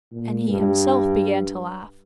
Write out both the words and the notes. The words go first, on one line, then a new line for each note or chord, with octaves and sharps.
And he himself began to laugh.
A#2
G2